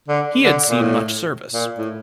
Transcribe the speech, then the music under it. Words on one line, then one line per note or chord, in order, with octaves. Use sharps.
He had seen much service.
D3
D3
A#2
A2
A#2
A2